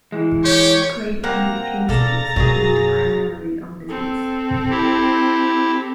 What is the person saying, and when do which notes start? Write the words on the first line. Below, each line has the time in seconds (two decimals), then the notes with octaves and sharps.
Gray-banded kingsnakes feed primarily on lizards.
0.12 E3 G#3
0.45 G4 C#5
1.24 A#3 C4 F#5 A#5
1.89 B2 A4 D5 F5 A#5 A6
2.36 F#2 B2 F#3 A#3 G#4
3.89 C4 A4
4.70 E4 G4